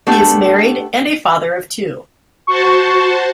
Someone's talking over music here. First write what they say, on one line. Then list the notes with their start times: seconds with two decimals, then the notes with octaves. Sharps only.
He is married and a father of two.
0.07 A3 B3 D4 G4
2.47 F#4 C5 A5 C#6